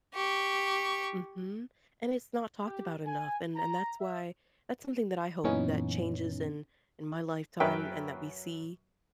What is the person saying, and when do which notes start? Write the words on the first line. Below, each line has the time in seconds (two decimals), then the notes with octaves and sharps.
Mhm, and it's not talked about enough. And and that's why that's something that I hope that changes in in my lifetime and that we see
0.14 G4 C#6
2.66 G4
3.05 G#5
3.55 A#5
3.99 E5
5.44 F#2 A#2 E3 B3 C#4 D#4
7.60 F#2 C#4 A#4 B4 E5 G5